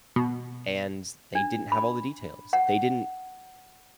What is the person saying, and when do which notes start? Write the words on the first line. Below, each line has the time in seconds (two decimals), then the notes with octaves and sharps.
and they didn't have all the details, they didn't
0.16 B2
1.35 D4
1.72 B5
2.53 F#5